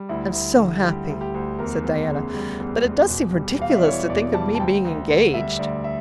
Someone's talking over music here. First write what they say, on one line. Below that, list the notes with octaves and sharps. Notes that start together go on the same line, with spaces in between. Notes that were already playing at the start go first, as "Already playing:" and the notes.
"I'm so happy," said Diana, "but it does seem ridiculous to think of me being engaged."
Already playing: G3
D2 E4
D2
D3
G3 G4
D2
G4
D2
E2 A#4
E2
C#3
G3
E2
E2
E1
G3
E2 F5
E5
D5
E3 C#5
E1 D5
G3 A5
A5
D2 G5
D2
D3
G3 E5
D2 D5
E5